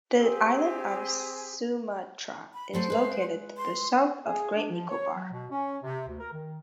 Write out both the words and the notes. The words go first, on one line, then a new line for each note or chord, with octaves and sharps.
The island of Sumatra is located to the south of Great Nicobar.
C4 G4 G#4
B5
F#3 A3 C5 A5
G#3 B4
C6
G#4
D4
F3
C#5
F#3
B2
C#4
C3
D2
A#4
D#3